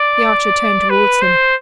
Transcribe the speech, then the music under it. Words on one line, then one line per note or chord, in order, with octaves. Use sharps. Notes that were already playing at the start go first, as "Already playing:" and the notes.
The archer turned towards him.
Already playing: D5
B4
C5